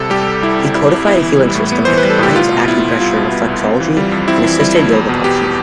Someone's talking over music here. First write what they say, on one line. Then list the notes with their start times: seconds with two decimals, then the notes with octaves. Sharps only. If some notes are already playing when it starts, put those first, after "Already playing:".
He codified a healing system that combines acupressure, reflexology, and assisted yoga postures.
Already playing: C2 C3 A4
0.10 G3 G4
0.27 C2
0.42 C2 E4
0.59 C3
0.74 G3 E4
0.90 C2
1.07 B3 E4
1.22 E3
1.38 G3
1.55 A2
1.72 B3
1.85 E3 C5
1.98 B4
2.04 G3
2.10 A4
2.19 A2 G4
2.35 C2 F4
2.52 B2
2.68 B3 E4
2.84 C2
3.00 C2 F4
3.16 B2
3.31 B3
3.48 C2
3.63 C4
3.80 E3
3.97 G3
4.12 F2
4.28 C4 E4
4.44 E3
4.60 G3 E4
4.76 F2
4.92 E2
5.09 B2
5.24 B3 G4